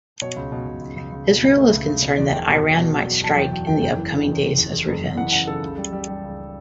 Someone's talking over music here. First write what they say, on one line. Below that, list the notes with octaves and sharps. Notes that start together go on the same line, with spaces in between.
Israel is concerned that Iran might strike in the upcoming days as revenge.
B2 C#5
C#2
B2
B2
C#2
C#2
C#2
B2
C#2
A3
C#2
C#2
B2
E2 D5
E1 G5
B2 A5
E1
B2
F#3
F#3
F#3 A5
E2 G5
F#3 G5
E1 G5
F#1 G5
E3
C#3
E2
F#1
E2
E2
F#1
E2
E3 F#5
C#3 F#5
C#3 A4
C#2
G3
G3
G3
C#2